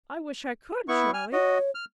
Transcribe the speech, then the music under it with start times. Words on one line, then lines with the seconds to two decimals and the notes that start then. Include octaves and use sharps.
'I wish I could, Charley!
0.88 B3 E4 C#6
1.14 G#5 F6
1.33 F#4 C#5 D#5
1.75 F6